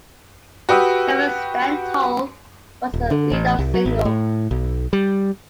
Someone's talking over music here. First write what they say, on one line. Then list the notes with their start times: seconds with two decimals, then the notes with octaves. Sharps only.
Cummings' "Stand Tall" was the lead-off single.
0.69 F#4 G4 B4 G5 D#6 E6
2.94 D#1
3.11 D3
3.32 A1
3.59 C2
3.74 F#3
3.86 G#1
4.05 A2
4.51 B1
4.93 G3